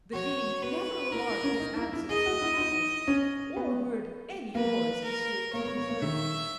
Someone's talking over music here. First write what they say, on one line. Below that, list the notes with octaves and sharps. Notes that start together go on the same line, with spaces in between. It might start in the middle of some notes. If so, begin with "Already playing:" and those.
The Dean never remarked his absence from Chapel, or heard any noise issuing from his rooms.
F#4 C#5
F#4 B4
E4 A#4
E4
C#4
D#4
E4
E4
G#4 D#5
F#4
E4
D#4
C#4
B3
A#3 B4
A#4
A#3 C#5
B3
B3
A#3
D#3 E5